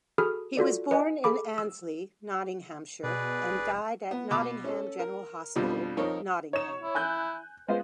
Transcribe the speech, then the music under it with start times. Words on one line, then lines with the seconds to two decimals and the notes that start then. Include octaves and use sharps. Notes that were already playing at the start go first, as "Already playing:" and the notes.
He was born in Annesley, Nottinghamshire and died at Nottingham General Hospital, Nottingham.
0.18 F#4 G#4 A4 B5 D#6 F6
0.57 F4 F#4 A4 D5
0.91 B4 D#5 G#5
1.24 G#4 A4 B5 D6
1.58 E6
3.03 B2 G#4 B4 D5
3.50 F1
4.11 B3
4.31 B2 B5 D6
4.64 C#4 A4
4.99 A#4
5.56 F2 B2 D3 F3 G3
5.97 F2 D#4 A#4 C#5
6.53 D#4 C#5 E7
6.80 E4
6.95 G#5 F#6 G6
7.68 G#3 B3 F4 C5